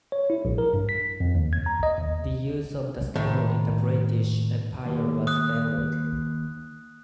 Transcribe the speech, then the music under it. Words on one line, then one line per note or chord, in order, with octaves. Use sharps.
The use of the stone in the British Empire was varied.
C#5
E4
A#1
A#4
G2
B6
F2
D#2
G#6
A#5
D#5
D#2
A2 D#3
D#2
D#6 F#6